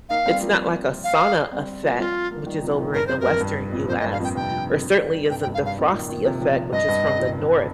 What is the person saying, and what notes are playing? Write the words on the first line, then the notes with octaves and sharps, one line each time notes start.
it's not like a sauna effect, which is over in the Western US, or certainly isn't the frosty effect, which is from the North,
A#3 D#4 F5
G3 C4
F3 A#3
F5
G3 C4
F3 A#3
G3 C4 F4
F3 A#3
D#3 G3
C3 F3
A#2 D#3
G2 A#4
F2 C5
A#4
G2
G2
F2 A#2
F2 A#2 C5
D#5
G2
F5
F2 A#2
G5
G2 C3 G5
C3 F3
A#2 D#3
D#3 G3
G2 C3 G5
G5
G2 C3
F5
G2
F5
F2 A#2
A#2 D#3
A#2 D#3
C3 F3
C3 F3
C3 F3
G2 D#5
G2
G2 C3
A#2 D#3